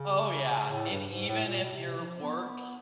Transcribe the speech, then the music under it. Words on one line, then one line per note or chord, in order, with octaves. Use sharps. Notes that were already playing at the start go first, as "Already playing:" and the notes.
Oh, yeah, and even if your work
Already playing: C#3
A2
G2
G#2
A2
A#2
B2
C3
F3
B3
B3